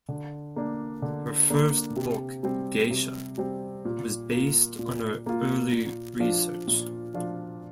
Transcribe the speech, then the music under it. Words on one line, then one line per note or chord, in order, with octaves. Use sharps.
Her first book, "Geisha", was based on her early research.
D3
A#3 D4
D3
A#3 D4
C3
G3 C4
C3
G3 C4
A#2
A#3 F4
A#2
A#3 F4
A#2
F3 D4 F4
A#2
F3 D4 F4